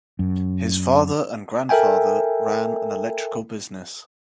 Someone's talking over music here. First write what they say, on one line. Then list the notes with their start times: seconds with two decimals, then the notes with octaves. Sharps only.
His father and grandfather ran an electrical business.
0.19 F#2
1.69 A4 A#4 E5 G5 G#5